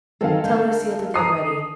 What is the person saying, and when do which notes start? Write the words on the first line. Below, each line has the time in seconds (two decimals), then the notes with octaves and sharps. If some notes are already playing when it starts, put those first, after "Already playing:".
Tell Lucile to get ready.
0.21 D#3 F#3 G#3 B3 C4 A4 A#4 F5
0.44 D2 G#3 A3 D4 G6
1.14 D#5 A5 A#5 D6 D#6 C7